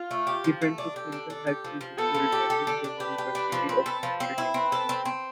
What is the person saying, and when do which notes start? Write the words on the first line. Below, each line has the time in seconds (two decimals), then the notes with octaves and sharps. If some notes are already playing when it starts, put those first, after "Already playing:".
He went to Clinton High School before attending the University of Notre Dame.
Already playing: F4
0.11 A3
0.27 G4
0.44 F3
0.62 A3
0.78 D4
0.96 G4 A4
1.12 D4
1.30 D4
1.47 G4
1.64 F3
1.81 F3
1.98 B3 A4
2.15 F3
2.32 G4
2.50 G4
2.67 D4
2.84 D4
3.00 G4 B4
3.18 G4
3.35 D4
3.52 F3
3.69 C4
3.86 A4
4.03 F3
4.20 C4
4.38 E4
4.54 C4 B4
4.72 A4
4.89 C4
5.05 C4